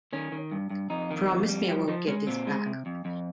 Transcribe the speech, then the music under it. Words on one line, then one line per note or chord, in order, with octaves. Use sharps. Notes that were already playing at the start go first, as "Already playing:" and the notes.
Promise me I will get this back.
D#3 C#4
D#3
G2
G2
F2 D#4
D#3
F2
G3
F3 G4
F3 D#4
G#3 C#4
A#2 C4
G#3
C3
F2
F2